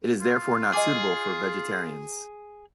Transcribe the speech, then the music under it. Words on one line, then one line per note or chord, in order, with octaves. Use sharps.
It is therefore not suitable for vegetarians.
F4
G#4 D#5 G#5 D6